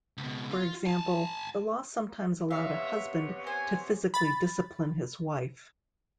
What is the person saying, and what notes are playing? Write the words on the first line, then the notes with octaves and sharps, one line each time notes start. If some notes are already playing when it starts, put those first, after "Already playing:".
For example, the law sometimes allowed a husband to physically discipline his wife.
C#2 B2
F4
G#5 A5
C3 B3 C#5 E5 F5
C5 G#5
B5 A6